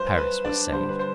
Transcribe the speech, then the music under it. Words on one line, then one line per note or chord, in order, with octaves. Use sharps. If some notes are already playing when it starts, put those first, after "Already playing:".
Paris was saved.
Already playing: G2 F#3 B4 C5
B4
D4 D5
G2 D3 G3 C5
B4
C5